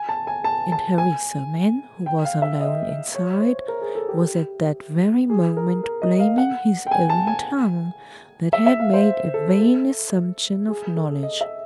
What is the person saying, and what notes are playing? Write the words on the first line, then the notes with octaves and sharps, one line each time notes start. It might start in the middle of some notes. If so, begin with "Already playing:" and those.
And Harisarman, who was alone inside, was at that very moment blaming his own tongue, that had made a vain assumption of knowledge.
Already playing: G#5
A5
G#5
A5
A5
G#5
G5
F5
E5
D#5
C#5
C5
A#4
G#4
A4
G4
G4
G#4
A#4
A#4
D#5
F5
F#5
G5
G#5
A5
G#5
E5
E5
F5
C5
A4
A4
G#4
A4
D#5
E5